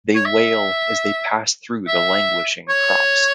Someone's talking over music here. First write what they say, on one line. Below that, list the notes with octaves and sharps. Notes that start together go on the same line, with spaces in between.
They wail as they pass through the languishing crops.
C#5
E5
E5
C#5